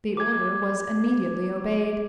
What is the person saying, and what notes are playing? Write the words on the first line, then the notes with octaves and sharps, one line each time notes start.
The order was immediately obeyed.
D6 G#6